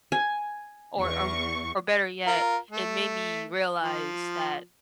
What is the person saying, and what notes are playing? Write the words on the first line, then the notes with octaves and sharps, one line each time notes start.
or, um or better yet, it made me realize that
G#5
E2 C#6
F4 A#4
A3
F3